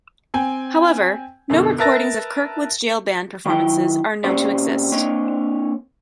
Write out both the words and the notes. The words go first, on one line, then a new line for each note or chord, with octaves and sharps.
However, no recordings of Kirkwood's jail band performances are known to exist.
C4 G5 G#5
F#2 B2 D3
A#4 B4 E5 A5 A6 A#6
D#3 F#3 E4 G5
A#2 C4 C#4 G4 C5 D5
A#3 C4 D4 C#5 D#5